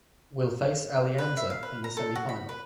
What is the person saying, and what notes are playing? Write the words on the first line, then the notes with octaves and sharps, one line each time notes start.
Will face Alianza in the semifinal.
B4
E5
F5
B4
A#5
A4
F#4
B5
B4